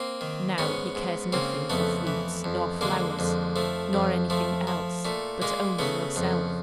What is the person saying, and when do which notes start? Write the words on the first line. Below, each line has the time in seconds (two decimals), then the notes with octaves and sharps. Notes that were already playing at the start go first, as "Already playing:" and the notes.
But NOW he cares nothing for fruits nor flowers, nor anything else, but only yourself.
Already playing: A#3 C4
0.21 D#3
0.58 G#2 B3 C#4
0.95 G#2
1.32 C#3 A#3 C4
1.70 F2 A3 B3
2.07 E3
2.44 F2
2.81 D3 G#3 A#3
3.19 F2
3.56 F3 A3
3.93 F2
4.30 F3 A3
4.67 F3
5.05 A#2 A3
5.42 A#2 G#3 A#3
5.79 C#3 A3 B3
6.16 F2